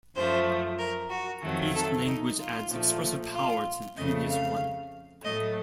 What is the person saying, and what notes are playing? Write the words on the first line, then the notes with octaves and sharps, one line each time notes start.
Each language adds expressive power to the previous one.
F#2 F3 A3 C5
A#4
F#4
F2 D#3 F#3 A3
A4
D#4
F4
A#2 F3 A3
F4
F2 C#3 A3 D#5
F5
A2 F#3 A3 D#5